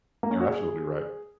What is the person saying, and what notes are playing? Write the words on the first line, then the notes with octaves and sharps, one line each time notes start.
You're absolutely right.
A#3
C#4
F#4
G#4